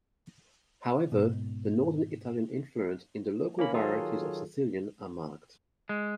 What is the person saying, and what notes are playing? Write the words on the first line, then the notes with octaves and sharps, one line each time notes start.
However, the Northern Italian influence in the local varieties of Sicilian are marked.
G#2 B2
A#3 C#4 B5
D#3 F#3 F4 G#4 A4
G#3